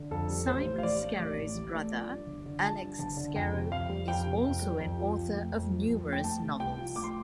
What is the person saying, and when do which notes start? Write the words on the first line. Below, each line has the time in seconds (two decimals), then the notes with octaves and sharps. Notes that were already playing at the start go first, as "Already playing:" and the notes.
Simon Scarrow's brother, Alex Scarrow, is also an author of numerous novels.
Already playing: D3
0.11 F2 A4
0.29 G3
0.47 A1 C5
0.65 A2
0.78 F5
0.83 A1 D5
1.02 A3
1.19 A1
1.38 A2
1.55 A1
1.73 A3
1.91 F3
2.09 G2
2.27 G1
2.46 D3
2.64 F3 A5
2.82 G2
2.99 G1 A5
3.17 D3
3.36 F2 G5
3.53 C3
3.72 F2 F5
3.89 G3
4.08 F2 G5
4.26 C3
4.44 F2
4.62 G3
4.80 F2
4.97 F3
5.15 F2
5.34 A3
5.52 F2
5.70 F3
5.87 F2
6.06 A3
6.13 G5
6.24 A3 A5
6.42 C3
6.60 C2 G5
6.79 F3
6.96 A3 D6
7.04 C6